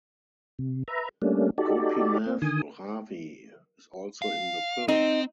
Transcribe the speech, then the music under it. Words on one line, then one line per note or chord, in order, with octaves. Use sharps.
Gopinath Ravi is also in the film.
C3
B4 E5 A#5
G3 A3 A#3 C#4 D4
D#4 F#4 G4 A4 D5
C4
D3 D#3 G#5 D#6
F5
C4 D#4